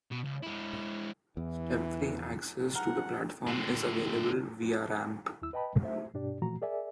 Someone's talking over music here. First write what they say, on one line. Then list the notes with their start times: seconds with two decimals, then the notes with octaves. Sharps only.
Step-free access to the platform is available via ramp.
0.11 B2
0.24 C#2
0.43 G#3 E4
1.37 E2 E3
2.75 A#4 F#5
3.47 A2 D3
5.42 D#2 E4 E6
5.53 B4 D#5 G5 A5 B5
5.82 A3 C5 E5
6.14 G2 B2 D4 G4 D5
6.42 A#2 E3 F3 A3 F#4 A#5
6.62 G#4 A#4 D5 E5 G#5